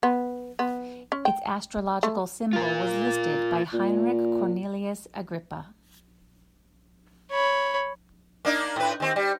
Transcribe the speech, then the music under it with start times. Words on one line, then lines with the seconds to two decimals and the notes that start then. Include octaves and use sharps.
Its astrological symbol was listed by Heinrich Cornelius Agrippa.
0.03 B3
0.59 B3
1.12 C#4
1.25 G5
2.03 A3
2.53 F4 A#4
3.73 A#2
7.31 C#5 B5
8.45 A#3 D4 D#4
8.76 A2 B4
9.00 D#2 C4
9.16 G3